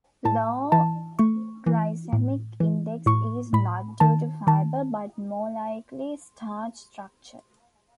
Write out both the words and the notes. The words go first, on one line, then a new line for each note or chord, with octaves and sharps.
Low glycemic index is not due to fiber but more likely starch structure.
A2 A5
E3 A5
A3 C#6
E3
A2
E3
A2 C#6
A2 B5
D#3 A5
D#3 A5